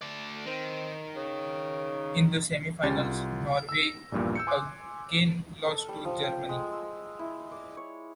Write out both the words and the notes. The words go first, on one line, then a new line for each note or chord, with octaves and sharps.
In the semi-finals, Norway again lost to Germany.
A3 D5
D#3 C4
C#3
C#2 C#4 G4 A6
C2 F4
E6 A#6
A#1 E2 G2 A#2
E6 G6 C#7
G#5 C6 D6 E6 F#6
A4
G3
F3
G5
G#3
E6
E4
D5
C#5